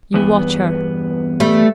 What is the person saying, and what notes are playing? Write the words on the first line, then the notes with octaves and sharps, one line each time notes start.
You watch her.
E2 G2 B3
G3 A3